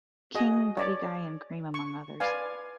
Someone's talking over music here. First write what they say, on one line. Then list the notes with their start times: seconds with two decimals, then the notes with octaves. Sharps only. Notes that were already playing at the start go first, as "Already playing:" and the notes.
King, Buddy Guy and Cream among others.
0.35 F#4 G#4 D#5
0.77 C#5 D5
1.74 C#6
2.20 B4 D5 F5 G#5